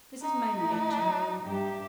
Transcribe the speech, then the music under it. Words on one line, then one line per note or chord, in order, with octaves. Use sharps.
This is Mame Beecher.
D#4
A3 E4
F#3
G2 G4 E5